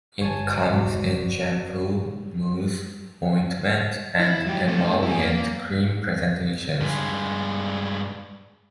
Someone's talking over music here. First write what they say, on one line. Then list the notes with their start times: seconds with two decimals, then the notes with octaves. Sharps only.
It comes in shampoo, mousse, ointment and emollient cream presentations.
0.22 G1 C#5 G#5 A5
0.49 F#4 C5 D5
0.68 G1 E2 B2
4.20 E4
4.47 F#3 G4
4.68 A3 C4
5.03 E4 G#4
5.18 A#3
6.81 G2 G#3